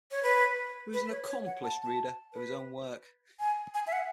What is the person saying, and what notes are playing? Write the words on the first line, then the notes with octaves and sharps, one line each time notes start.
He was an accomplished reader of his own work.
C#5
B4
B4
C#5
C#5
F#5
A5
A5
B4
G#5
G#5
E5
F#5